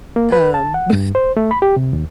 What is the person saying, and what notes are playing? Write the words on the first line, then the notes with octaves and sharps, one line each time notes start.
Um, bu
A#3
B4
A5
F#5
G2
C5
A3
B5
G4
C3
D#2